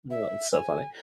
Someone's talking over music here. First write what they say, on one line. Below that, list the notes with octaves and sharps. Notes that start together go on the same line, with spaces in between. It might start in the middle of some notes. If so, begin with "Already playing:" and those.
Well, it's so funny.
E5
G#5